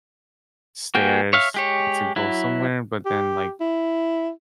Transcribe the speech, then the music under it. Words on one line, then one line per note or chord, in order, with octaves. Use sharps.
stairs to go somewhere, but then, like,
A#3 F#4 G#4 G5
C#5 E5 F5
G#3 G4 C#5
F#3 E4
G4
E4